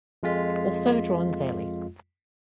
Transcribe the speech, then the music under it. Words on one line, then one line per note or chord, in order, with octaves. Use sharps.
Also drawn daily.
F2 G#3 F4 B6